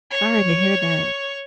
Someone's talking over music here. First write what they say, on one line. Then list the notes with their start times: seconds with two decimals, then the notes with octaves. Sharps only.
sorry to hear that.
0.11 C#5 C#6